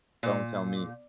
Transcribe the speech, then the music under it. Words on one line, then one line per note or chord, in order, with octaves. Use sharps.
"Don't tell me."
A#2